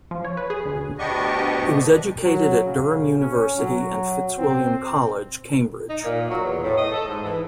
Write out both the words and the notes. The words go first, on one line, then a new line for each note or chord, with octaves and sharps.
He was educated at Durham University and Fitzwilliam College, Cambridge.
F3
C#5
B4
G#4
D2
D2 B3 D4 G4 D#5 C#6
F#3
C#3
C#4
F#3
C4
D#4
A#2
F#3
E2
A2
D#5
A4
G#2
E3